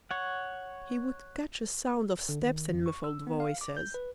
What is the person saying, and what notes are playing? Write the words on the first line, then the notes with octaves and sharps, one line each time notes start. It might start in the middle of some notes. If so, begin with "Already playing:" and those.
He would catch a sound of steps and muffled voices.
C#5 F#5
D3
D#3
F2
C#6
E6
B3
F5
D6
G6
B4